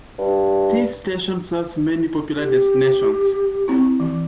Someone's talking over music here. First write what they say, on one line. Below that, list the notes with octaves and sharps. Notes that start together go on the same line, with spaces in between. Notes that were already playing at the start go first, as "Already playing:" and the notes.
This station serves many popular destinations.
G2
G4
C4 E4
E3